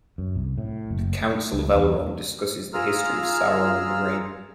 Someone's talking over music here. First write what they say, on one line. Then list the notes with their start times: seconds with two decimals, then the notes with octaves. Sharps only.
The Council of Elrond discusses the history of Sauron and the Ring.
0.18 F#2
0.36 C2
0.58 A2
0.91 F#1
1.21 A3
1.53 C#2
1.75 E2
2.74 F4 G#4 A#5 E6 F6